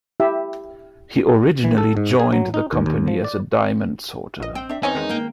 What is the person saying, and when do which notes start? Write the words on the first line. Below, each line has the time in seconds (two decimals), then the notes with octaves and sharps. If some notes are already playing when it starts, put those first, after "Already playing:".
He originally joined the company as a diamond sorter.
0.20 E4 G4 E5
1.64 E3
1.78 A4
1.97 G#2
2.20 G#4
2.33 F#3
2.54 D#4
2.73 D#2
2.86 D#2
3.08 F3
3.24 D5
4.40 A#1 D#5
4.55 C4 G5
4.69 D4 E5
4.83 E2 C4 C#4 D#4 C#5 G#5
4.95 D#3 G#3
5.09 A#3 G5